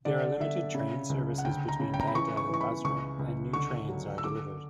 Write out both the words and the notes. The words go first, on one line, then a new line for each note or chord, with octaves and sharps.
There are limited train services between Bagdad and Basra and new trains are delivered.
D3 D5
D3 E5
C#3
C#2
F#5
D2 G5
A#5
C#3
G5
A#5
B5
E3 C#6
C#6
E3 C#6
B5
C#2 C#6
C#2
D3 C#6
F#3
E6
D3 D6